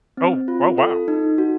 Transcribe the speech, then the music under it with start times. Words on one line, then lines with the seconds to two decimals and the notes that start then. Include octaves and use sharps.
Oh, oh, wow.
0.17 C4
0.48 F4
0.78 A4
1.08 D#4
1.38 F#4